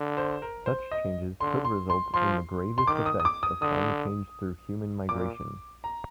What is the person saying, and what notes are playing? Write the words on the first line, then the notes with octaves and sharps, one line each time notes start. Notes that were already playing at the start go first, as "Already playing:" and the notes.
Such changes could result in the gravest effects of climate change through human migration.
Already playing: D3
C5
A#4
C5
D#5
D3 C6
C6
C6
F3 C6
C6
D#3 D6
D#6
D#6
D6
D#6
D3 D#6
A#2 D6
A#5